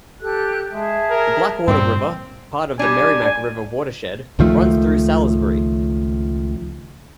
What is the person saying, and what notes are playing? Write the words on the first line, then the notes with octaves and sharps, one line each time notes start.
The Blackwater River, part of the Merrimack River watershed, runs through Salisbury.
G4 A4 F#6
G#3 G#4 E5 A5
A#4
G2 A#2 C#3 C4
G3 D4 G#5
C#2 D#3 F3 A3